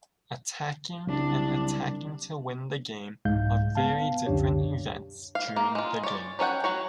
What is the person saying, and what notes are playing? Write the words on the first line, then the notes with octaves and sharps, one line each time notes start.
Attacking and attacking to win the game are very different events during the game.
C2 C#3 F#3 G3 D4
C2 G#2 G#3 F5 G6
B3 F5 A5
C#2 F#2 D3 D4 G4 C#5
F5
A#3
G#3 F4
C#5 D5
F#3 C#4 C#5 F#5 G5
F#3 F#4 C#5